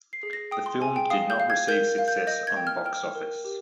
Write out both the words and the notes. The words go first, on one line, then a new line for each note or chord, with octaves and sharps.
The film did not receive success on box office.
C7
G#4
A#6
G5 D#6
C6
G#4 G#5
G5
F5 D#6
G6
F5
G#6
A#4 G6
F5
G6
D#5 G6
G#6
G5
F6
G5 F6
A#4
G4